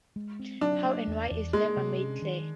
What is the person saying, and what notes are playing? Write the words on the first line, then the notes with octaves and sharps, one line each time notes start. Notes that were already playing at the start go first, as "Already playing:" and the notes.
How and why is never made clear.
G#3
C4
F#3 D4
A#3
E2
E2
G#3 A#3
C3
C#4
D#3